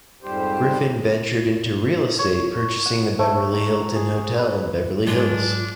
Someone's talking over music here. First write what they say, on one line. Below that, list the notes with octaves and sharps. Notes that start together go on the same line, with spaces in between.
Griffin ventured into real estate, purchasing the Beverly Hilton Hotel in Beverly Hills.
F2 G#2 G3 G4 C5
C#5
F#5
A3
A#5
G#4
B4
G#2 F#3 G#3 D4 F4 C#5